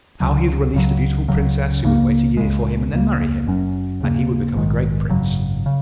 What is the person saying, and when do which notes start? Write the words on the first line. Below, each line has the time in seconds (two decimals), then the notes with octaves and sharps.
How he had released a beautiful Princess, who would wait a year for him and then marry him, and he would become a great Prince.
0.20 C#2 C#3 F#3
0.74 C#2 C#3 F#3
1.28 C#2 C#3 F#3
1.84 C#2 C#3 F#3 A#3
2.37 C#2 C#3 G#3
2.92 C#2 C#3 A#3
3.47 F#1 F#2 F#3 C#4
4.01 D#2 C#3 A#3
4.56 A#1 G#2 D#3 G#3
5.09 G#1 F#2 C#3 F#3
5.66 C#3